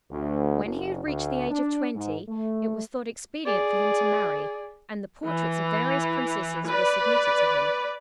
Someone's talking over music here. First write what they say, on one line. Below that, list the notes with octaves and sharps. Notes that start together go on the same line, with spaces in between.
When he had reached the age of twenty, it was thought expedient for him to marry; and the portraits of various princesses were submitted to him.
D2
F#1
D2
D4
G#2
A3
G#4 D5
E3
B4 D5